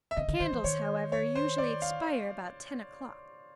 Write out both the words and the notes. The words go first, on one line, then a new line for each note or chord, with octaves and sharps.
The candles, however, usually expire about ten o'clock.
E5
C#3 D#5
D3
D#3 C5
E3
D#3 C#5
C#5
C5
D5
F5